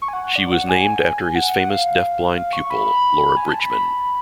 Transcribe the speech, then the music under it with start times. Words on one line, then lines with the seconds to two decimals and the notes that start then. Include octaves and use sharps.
She was named after his famous deaf-blind pupil Laura Bridgman.
0.02 C#6
0.08 G#5
0.13 F#5
0.24 F#5
0.36 D5
0.52 F#5
0.69 G#5
1.35 F#5
1.60 F#5
1.69 F5
2.37 F5
2.53 C#6
2.70 B5
3.37 G#5
3.48 A5
3.60 B5
3.71 B5